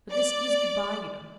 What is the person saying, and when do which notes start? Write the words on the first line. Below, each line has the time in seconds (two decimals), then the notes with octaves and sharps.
But this IS good-bye, you know.
0.11 D5